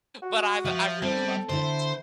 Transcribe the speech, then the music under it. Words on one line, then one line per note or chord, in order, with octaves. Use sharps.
but I've I've really loved it.
F#4
F3 E5
G3 C4 A4
D3 E4 C5